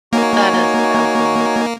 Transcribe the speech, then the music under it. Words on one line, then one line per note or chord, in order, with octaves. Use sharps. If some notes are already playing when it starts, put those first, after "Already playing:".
That is so funny.
A#3 D#4 F#4 C#5 G#5